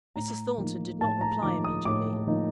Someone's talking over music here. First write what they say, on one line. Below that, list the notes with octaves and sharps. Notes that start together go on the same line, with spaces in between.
Mrs. Thornton did not reply immediately.
A2 A#5
F3 A#3 D#4
A2 A5
A#5
F3 A#3 D#4 D6
D#6
A2 D6
F3 A#3 D#4